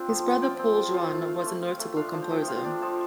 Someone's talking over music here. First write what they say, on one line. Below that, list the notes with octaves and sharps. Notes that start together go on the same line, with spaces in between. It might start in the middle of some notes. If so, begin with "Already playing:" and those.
His brother Paul Juon was a notable composer.
Already playing: C4 D4 F4 G5
F3
F3
F4 G5
C4
F3
F4
A3
F4
A3
F4
A3
D4 F5
F3
G5
F3
F4 F5
D4 D5
F3 A5